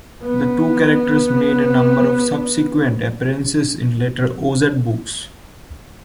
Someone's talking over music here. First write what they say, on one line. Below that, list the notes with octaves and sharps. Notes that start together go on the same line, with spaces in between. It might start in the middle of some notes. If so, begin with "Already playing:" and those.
The two characters made a number of subsequent appearances in later Oz books.
B3